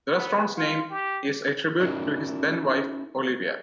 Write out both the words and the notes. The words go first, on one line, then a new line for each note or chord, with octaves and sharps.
The restaurant's name is a tribute to his then-wife, Olivia.
B3
F4
G4
C#4 D#4 E4 F#4 A#4 D5